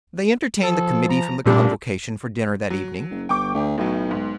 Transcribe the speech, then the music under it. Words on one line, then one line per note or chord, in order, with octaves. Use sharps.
They entertained the committee from the Convocation for dinner, that evening.
F3 A4
A#5
B1 F#2 A#2 G3 D4
F#3
F#1
G1 G5 C#6 D6
D2
B1 A2 F#3
G#2